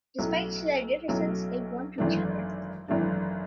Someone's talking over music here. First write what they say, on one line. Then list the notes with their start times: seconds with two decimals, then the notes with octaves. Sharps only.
Despite their differences, they warm to each other.
0.18 B1 A2 F#3 A3 C#4
1.08 B1 A2 F#3 A3 C#4
1.98 G#1 F#2 E3 A3 D4
2.88 G#1 F#2 E3 A3 D4